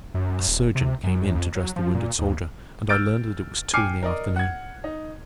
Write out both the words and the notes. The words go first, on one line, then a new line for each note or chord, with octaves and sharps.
A surgeon came in to dress the wounded soldier, and I learned that it was two in the afternoon.
F#2
D#1
C3
F#2
F2
F#3
F3
A#2
D#2
E6 F6 G6 A6 D7
G5 G#5 D6 F6 C7 C#7
A#4 D5 D#5
F#5 G#6
D#4